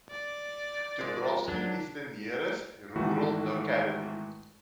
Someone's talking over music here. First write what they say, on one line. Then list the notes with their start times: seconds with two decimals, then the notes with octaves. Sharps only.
Dubrovsky is the nearest rural locality.
0.11 D5
0.99 G#1 F3 G#3
1.48 F#3 D4
2.96 G#2 D#3 E3 G#3 A3 F#4